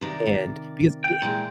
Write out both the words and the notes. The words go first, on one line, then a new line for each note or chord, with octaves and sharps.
and because it
C3 D#3 D5
G5
A#2 E3 G#3